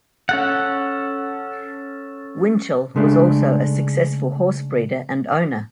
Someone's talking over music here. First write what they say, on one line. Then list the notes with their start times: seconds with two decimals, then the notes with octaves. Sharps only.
Winchell was also a successful horse breeder and owner.
0.29 C#4 A4 F#5
2.96 C#3 G#3 A3 D4